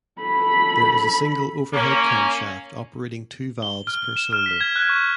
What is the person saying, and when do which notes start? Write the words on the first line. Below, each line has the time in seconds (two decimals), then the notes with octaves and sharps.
There is a single overhead camshaft operating two valves per cylinder.
0.21 A4 B5
1.74 A#3 C#4
3.62 G7
3.87 F6
4.16 E7
4.33 F6
4.46 B6
4.61 G#6
4.76 F#6
4.89 C#6